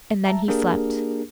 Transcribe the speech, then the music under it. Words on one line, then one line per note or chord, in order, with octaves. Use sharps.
And then he slept.
E5 A5 A#5
A#3 D4 G4 G#4 A#4